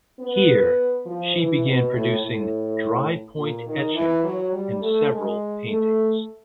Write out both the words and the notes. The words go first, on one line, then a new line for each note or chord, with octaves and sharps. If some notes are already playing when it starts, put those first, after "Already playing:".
Here she began producing drypoint etchings and several paintings.
B3
F3
E3
B2
A2
A2
A#2
D#3
E3
F#3
G3
A3
G#3
A3